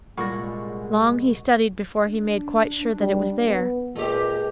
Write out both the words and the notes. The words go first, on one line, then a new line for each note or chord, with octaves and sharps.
Long he studied before he made quite sure that it was there.
C2 A#2 G#3 A4 F#5 B5 C#6 A#6
D4
G3
B3
A#2 G#3 G4 B4